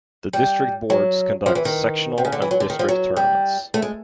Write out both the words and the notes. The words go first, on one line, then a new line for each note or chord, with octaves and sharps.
The District boards conduct Sectional and District tournaments.
G3
F#3
F3
E3
D#3
C3
C#3
D3
E3
F#3
D3
D#3
F3
F#3
G3
A3
G#3